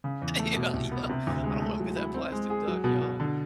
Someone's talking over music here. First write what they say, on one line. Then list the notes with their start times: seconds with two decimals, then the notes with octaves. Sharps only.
yeah, yeah, I don't wanna be that plastic duck, y'all.
0.04 C#3
0.22 E2
0.39 A3
0.56 B2
0.73 C2
0.91 B3
1.09 C3
1.27 D2
1.44 G#3
1.62 A3
1.80 F#3
1.96 E4
2.14 C4
2.32 G#3
2.50 G#4
2.68 F#3
2.84 B2
3.01 B2
3.20 D3